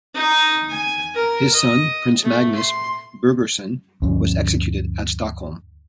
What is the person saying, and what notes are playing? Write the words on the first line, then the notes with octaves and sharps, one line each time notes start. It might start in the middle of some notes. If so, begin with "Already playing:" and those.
His son, Prince Magnus Birgersson, was executed at Stockholm.
D#4
G#5
A#4
D#5
A3
C6
D2 G2 F3 C#4